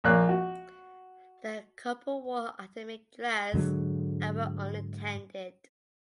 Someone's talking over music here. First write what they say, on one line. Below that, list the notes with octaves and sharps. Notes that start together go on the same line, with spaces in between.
The couple wore academic dress and were unattended.
A#1 A#3 C#5 F#6
F#4
G#2 D3 F#3 G#3